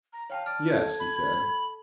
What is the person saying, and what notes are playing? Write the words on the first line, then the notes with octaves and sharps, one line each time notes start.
"Yes," he said.
A#5
C#5 F5 G5 A5
D5 A5 F6
A4 A5 G#6
B5